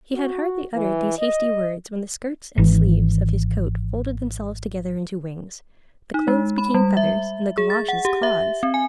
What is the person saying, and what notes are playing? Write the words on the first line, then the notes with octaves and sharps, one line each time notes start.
He had hardly uttered these hasty words when the skirts and sleeves of his coat folded themselves together into wings; the clothes became feathers, and the galoshes claws.
F#4
E3
D#5
G#1 E3
D#4
G#3
B5
G3
E5
G#4
A6
F#5
G4
E5
C4
G#5